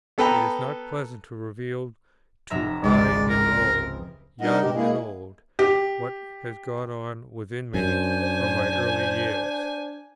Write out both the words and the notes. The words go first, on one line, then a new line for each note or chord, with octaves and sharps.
It is not pleasant to reveal to high and low, young and old, what has gone on within me from my early years.
B3 A4 B4 G5 A#5
F1 E5 A#5
G#1 C#2 G#3 D5
C4 A#4
G3 D4 D#4 A#4 D#5 F#5
G2 B2 G#3 G4
G#3 A#3 E4 G#4
G4
F#2 D4 C5 G#5